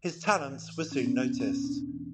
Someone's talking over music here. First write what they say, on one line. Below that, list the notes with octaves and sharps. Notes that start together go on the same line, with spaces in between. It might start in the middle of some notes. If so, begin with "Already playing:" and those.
His talents were soon noticed.
E3
A2
E3
E3
A2
B2 C#4
B3
B2 C#4
E2
B2 C#4
B2
D4
E2
E3